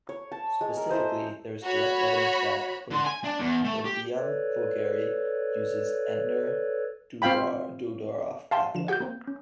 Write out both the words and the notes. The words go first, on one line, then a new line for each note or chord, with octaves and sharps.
Specifically, there is direct evidence that "Hordeum vulgare" uses the Entner-Doudoroff pathway.
C#5
A5
G#3
A#4
E4 A4 C5 D#5
F#4 C#5 B5
D3 C6
G#5
D4
E2
A3
G4
A4 B4 C#5 D5
C4 F4 F5 G5 B5
G4 E5 F5 G5 A5 C6
D3 F3 E7
F#4 G4 F#5 G5 G6
A#3 C4
C#4